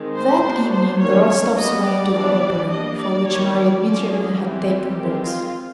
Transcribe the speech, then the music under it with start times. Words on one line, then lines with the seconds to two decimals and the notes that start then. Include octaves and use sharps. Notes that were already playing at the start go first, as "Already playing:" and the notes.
That evening the Rostovs went to the Opera, for which Marya Dmitrievna had taken a box.
Already playing: D#3 G#3 C4
0.15 C5
0.43 F#3 B3 D4
0.71 C5
1.00 D#3 F#3 A#3 C#4 C#5
1.56 G3 B3 D4 D#5
1.85 D5
2.13 E3 G3 B3 D4
2.69 G3 A#3 D4 D#5
2.97 D5
3.26 D#3 G3 B3 D4 C#5
3.54 D5
3.82 D3 F3 G#3 C#4 D5
4.10 G#4
4.38 E3 G3 C4 G4
4.95 D#3 G#3 C4
5.23 F4